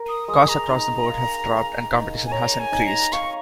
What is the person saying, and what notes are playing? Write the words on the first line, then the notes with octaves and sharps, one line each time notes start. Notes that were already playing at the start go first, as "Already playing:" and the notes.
Costs across the board have dropped, and competition has increased.
Already playing: A#4
D#6
G#3 D#6
A#5
D#4
F5
F5
D#4
G#5
C#5 A#5
G#5
D#4
A#5
F5 C#6